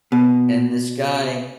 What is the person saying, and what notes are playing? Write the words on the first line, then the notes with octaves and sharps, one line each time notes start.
and, this guy,
B2